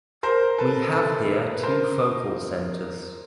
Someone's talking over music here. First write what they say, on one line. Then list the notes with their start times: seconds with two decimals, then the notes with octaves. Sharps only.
We have here two focal centers.
0.23 A#4 C5
0.58 A4 B4
0.93 A4 B4
1.54 B4
1.63 A#4 C5